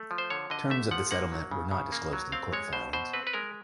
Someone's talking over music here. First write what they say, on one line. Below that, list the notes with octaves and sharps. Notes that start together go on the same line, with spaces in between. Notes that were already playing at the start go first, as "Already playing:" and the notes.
Terms of the settlement were not disclosed in court filings.
Already playing: A3
F3
C5
D3 C#5
D3 D#5
A3 E5
F3 F#5
A#3 F#5
F#3
C#3
C#3
A#3
F#3
C4 F5
G#3 C#5
B2 C5
B2 C5
C4 B4
B4
G#3 A#4